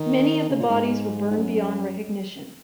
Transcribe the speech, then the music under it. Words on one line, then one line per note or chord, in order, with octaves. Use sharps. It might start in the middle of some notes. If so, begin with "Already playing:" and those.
Many of the bodies were burned beyond recognition.
Already playing: D#3
C#3
A#2
G#2
G#2
F#2